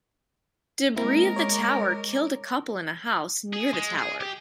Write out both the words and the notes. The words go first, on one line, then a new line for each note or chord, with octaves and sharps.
Debris of the tower killed a couple in a house near the tower.
G#3 A#3 C4 E4 A#4
C#5 D6
G#4
G#3
G#4
G4